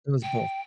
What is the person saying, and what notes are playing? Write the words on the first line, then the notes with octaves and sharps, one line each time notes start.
It was both.
G5